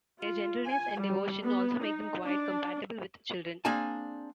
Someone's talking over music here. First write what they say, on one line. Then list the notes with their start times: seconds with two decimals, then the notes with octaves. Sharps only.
Their gentleness and devotion also make them quite compatible with children.
0.22 F4
0.67 G#5
1.02 G3
1.43 B3
1.84 D#4
2.24 D4
3.65 A#3 C4 D4 G#4 G#5 A5